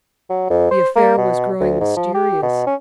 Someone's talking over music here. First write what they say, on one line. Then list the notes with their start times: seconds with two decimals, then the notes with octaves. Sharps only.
The affair was growing mysterious.
0.30 F#3
0.50 F2
0.71 C5
0.96 A#3
1.17 B2
1.61 D2
1.81 G#2
1.96 F3
2.14 G4
2.42 B2
2.67 C#4